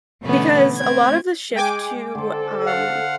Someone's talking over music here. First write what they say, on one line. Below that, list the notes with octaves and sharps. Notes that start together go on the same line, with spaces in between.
because a lot of the shift to, um,
B2 D3 E3 A3 B3 C#4
A3 C4 G#6
G#3 G5 G#5 D6
D3 A4 C5
F5 F#5